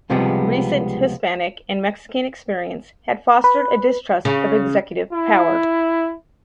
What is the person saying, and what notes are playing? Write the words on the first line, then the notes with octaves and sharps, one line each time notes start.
Recent Hispanic and Mexican experience had fostered a distrust of executive power.
C#2 C3 F3 G3 G#3 B3
B4
C#3
E4